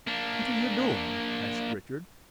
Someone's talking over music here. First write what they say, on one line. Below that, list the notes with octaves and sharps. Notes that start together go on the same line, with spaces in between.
"What are you doing?" asked Richard.
A#3 D4